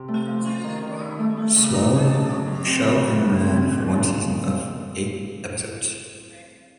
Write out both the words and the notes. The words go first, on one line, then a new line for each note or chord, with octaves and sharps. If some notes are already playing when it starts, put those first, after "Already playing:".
Show, and ran for one season of eight episodes.
Already playing: C3
A3
F3
C#4
D#3
D#3
D#4
A3
A3
C#3
D#4
D#4
F#3
F#3
F#2
C4
C#3
C#3
A2
C4
C#3
D#2
A#2